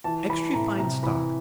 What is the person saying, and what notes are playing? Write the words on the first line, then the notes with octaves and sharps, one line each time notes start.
Extry fine stock.
E3 A5
E3 B5
A2 A#5
C3 A#5
E3 B5